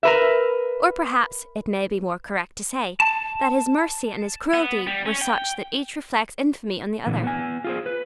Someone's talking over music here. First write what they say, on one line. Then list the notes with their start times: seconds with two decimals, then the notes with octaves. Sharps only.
Or perhaps it may be more correct to say that his mercy and his cruelty were such that each reflects infamy on the other.
0.03 A#4 B4 E5
3.00 A5
4.54 B3
4.87 G3
5.06 C#4
5.21 G5
7.06 A#2 D3 E3
7.23 B3 G#5
7.64 F4 G#4 C5
7.86 B4